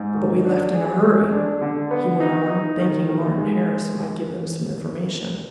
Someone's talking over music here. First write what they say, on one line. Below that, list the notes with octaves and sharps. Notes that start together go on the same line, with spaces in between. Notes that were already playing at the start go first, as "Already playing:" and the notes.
"But we left in a hurry!" he went on, thinking Martin Harris might give them some information.
Already playing: G#2
D#3
D4
G#4
G#3
D4
D3
B3
D#4
D#4
D#3
D#3
G#3